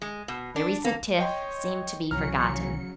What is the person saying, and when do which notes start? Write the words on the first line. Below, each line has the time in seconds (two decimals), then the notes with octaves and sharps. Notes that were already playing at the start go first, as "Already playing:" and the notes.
Their recent tiff seemed to be forgotten.
0.02 G#3
0.28 B2
0.56 D4
0.85 A#3
1.18 C#5 D#5 G5 C6
2.11 C2 C#3 E3 F#3 C#4 A#5 F6 C#7